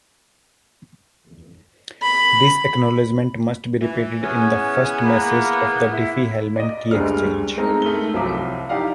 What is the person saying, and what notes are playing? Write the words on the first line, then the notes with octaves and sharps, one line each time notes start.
This acknowledgement must be repeated in the first message of the Diffie-Hellman key exchange.
B5
E3
C#3 E3 B3 C#4 G#5
G#5
A#3 B5
E4
D5 D#5
F#1 D2 G3 G#3 D4 F6
G#3 A3 C4 D#4 A#4
A3 D#4 G7
C2 F3 F#3 E5 D6
D#4 E4 G4 D5 F5 F#5